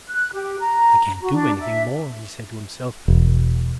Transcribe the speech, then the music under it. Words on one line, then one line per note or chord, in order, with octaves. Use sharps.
"I can't do anything more," he said to himself.
F#6
G4
A#5
F#4
D4
E5
E1